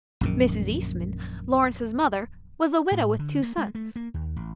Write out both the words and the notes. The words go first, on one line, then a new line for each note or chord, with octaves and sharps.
Mrs. Eastman, Lawrence's mother, was a widow with two sons.
A#1 F#2 D#3
A2
D3
A#3
G#3
A3
A#3
D#2
A1